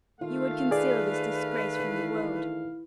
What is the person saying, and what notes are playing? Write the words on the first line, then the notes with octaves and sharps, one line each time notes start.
You would conceal this disgrace from the world.
D#3 A3 F4 F5
G#4 B4 D5
E3